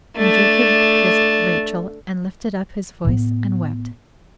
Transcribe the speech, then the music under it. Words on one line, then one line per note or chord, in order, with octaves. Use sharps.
And Jacob kissed Rachel, and lifted up his voice and wept.
A3 D4
A2 B3